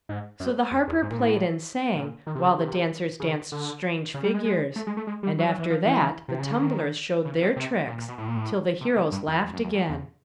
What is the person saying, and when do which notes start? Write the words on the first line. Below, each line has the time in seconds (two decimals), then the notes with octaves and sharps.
So the harper played and sang, while the dancers danced strange figures; and after that the tumblers showed their tricks, till the heroes laughed again.
0.09 G#2
0.40 F#2
0.71 F2
0.87 E2
1.02 G#2
1.11 A#2
1.18 A2
1.95 A#2
2.27 D#3
2.35 C3
2.43 C#3
2.58 C3
3.20 C#3
3.52 D3
4.14 C#3
4.24 G3
4.34 G#3
4.44 G#3
4.76 A3
4.87 G#3
4.97 A3
5.07 G#3
5.23 G3
5.39 F#3
5.49 F#3
5.60 E3
5.70 F3
5.85 E3
6.28 C3
6.40 C#3
6.52 D3
6.62 D#3
7.25 C#3
7.41 C3
7.56 C3
7.88 A#2
7.98 A#2
8.08 B2
8.18 A2
8.28 A#2
8.36 A2
8.81 C3
8.96 C3
9.12 G2
9.27 F2
9.43 F2
9.53 F#2
9.64 E2
9.74 F2
9.89 E2